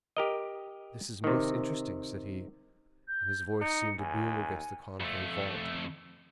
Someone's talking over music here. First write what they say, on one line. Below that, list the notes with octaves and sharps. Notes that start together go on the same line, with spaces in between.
"This is most interesting," said he, and his voice seemed to boom against the concave vault.
G4 A#4 D#5
C3 D#3
G6
D#4 C#7
D#2 G#5
F2 A3